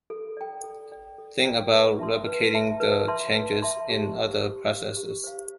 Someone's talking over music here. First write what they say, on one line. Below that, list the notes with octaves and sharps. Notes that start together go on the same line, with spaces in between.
Think about replicating the changes in other processes.
A4
D5 G5
A4
D5 G5
A4
D5 G5
B4
E5 A5 C6
B4
E5 A5 C6
B4
E5 A5 C6
B4
E5 A5 C6
G4
C5 F5
G4
C5 F5
G4
C5 F5